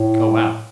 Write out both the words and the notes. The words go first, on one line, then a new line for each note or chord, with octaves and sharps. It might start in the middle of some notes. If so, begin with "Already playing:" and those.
Oh, wow.
Already playing: A2